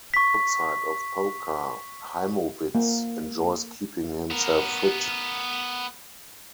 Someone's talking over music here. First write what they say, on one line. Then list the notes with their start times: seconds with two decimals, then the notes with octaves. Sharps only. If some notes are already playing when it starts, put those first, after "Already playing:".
Outside of poker, Heimowitz enjoys keeping himself fit.
0.14 C#6 B6
2.75 A#3
4.31 B3 A#4